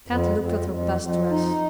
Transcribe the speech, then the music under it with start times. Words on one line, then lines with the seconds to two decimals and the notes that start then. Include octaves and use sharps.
Kat looked at her best dress.
0.08 F2
0.38 F2
0.70 F2
1.00 F2
1.31 D#4